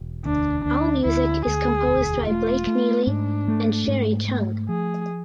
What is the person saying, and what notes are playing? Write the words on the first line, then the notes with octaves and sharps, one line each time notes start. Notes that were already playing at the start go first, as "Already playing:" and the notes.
All music is composed by Blake Neely and Sherri Chung.
Already playing: E1
D2 D4
D2 D4
D2 E4
D2 G#4
E1
A3 F4
A3
G#2 D4
A3
G#2
A3
F3 G#4